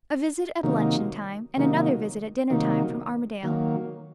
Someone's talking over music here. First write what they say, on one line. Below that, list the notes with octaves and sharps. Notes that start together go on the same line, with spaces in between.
A visit at luncheon-time and another visit at dinner-time from Armadale.
C3 D#3 F#3 A#3 D#4
C3 D#3 F#3 A#3 D#4
C3 D#3 F#3 A#3 D#4
D#3 F#3 A#3